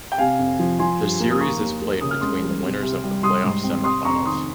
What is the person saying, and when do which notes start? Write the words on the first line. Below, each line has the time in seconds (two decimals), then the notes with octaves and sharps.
The series is played between the winners of the playoff semifinals.
0.12 G5
0.18 C3 F5 G#5
0.39 F2
0.59 F3
0.79 F3 G#5 C6
1.00 G2
1.20 A#3
1.31 D#6
1.40 D#3 A#5 C#6
1.61 D#2
1.82 A#3
2.01 C#3 D#6
2.11 F6
2.21 C#2 C6 D#6
2.42 G3
2.62 C3
2.83 C2
3.04 G3
3.23 G3 C6 D#6
3.44 G#2
3.64 C4
3.84 C3 C6 D#6
4.04 F2 A#5 C#6
4.26 D#3 C6 D#6